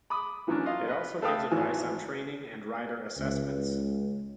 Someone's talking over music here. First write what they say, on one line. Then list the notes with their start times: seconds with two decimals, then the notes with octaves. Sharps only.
It also gives advice on training and rider assessments.
0.10 B5 D6 D#6
0.47 D#3 E3 F#3 C#4 D4
0.66 F4 D#5 F5
0.88 B4 D#5
1.22 A3 A4 B4 F5 G5 D#6
1.51 G#1 E3 G#5
3.18 C#2